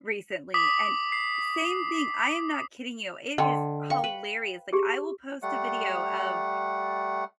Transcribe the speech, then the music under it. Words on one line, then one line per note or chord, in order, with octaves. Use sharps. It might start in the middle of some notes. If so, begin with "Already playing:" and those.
recently, and same thing, I am not kidding you, it is hilarious, like I will post a video of
D6 D#6 B6
C7
D3 D#5 G5 C6
D#5 F5 G5 C#6
B4
G4 G#4
G3 A3 F#5